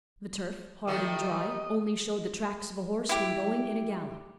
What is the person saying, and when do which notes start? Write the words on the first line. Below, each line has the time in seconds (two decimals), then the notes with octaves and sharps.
The turf, hard and dry, only showed the tracks of a horse when going in a gallop.
0.87 D#3 G3 A3 D#5
3.09 E4 G4